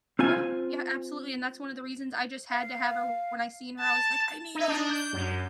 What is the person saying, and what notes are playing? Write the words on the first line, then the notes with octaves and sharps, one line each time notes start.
Yeah. Yeah, absolutely, and that's one of the reasons I just had to have her when I seen her, I was like, "I need her.
C4 F4 G#5
F5
A5
D#4
D4
G6
F#2